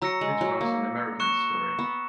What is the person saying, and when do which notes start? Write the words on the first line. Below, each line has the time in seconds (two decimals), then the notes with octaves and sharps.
It was an American story.
0.02 F#3 A#5 E6 A#6 C#7
0.21 G#3
0.41 F#3
0.61 A#3
1.20 C#6 F#6 C#7 E7
1.79 B3